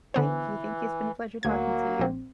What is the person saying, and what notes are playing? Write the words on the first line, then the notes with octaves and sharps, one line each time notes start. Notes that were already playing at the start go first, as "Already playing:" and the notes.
Thank you, thank you. It's been a pleasure talking to you.
D3 E3 B3 C5
D2 F#3 A#3 G#6
A#1 C4